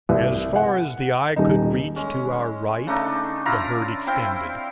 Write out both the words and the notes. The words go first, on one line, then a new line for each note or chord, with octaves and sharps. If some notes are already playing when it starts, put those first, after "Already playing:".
As far as the eye could reach to our right, the herd extended.
C2
F#5
D#1 D#4
G#3 C#4
C#3 A3 D4 D#4
E4 F4 A#5
C4 E4 F5 G5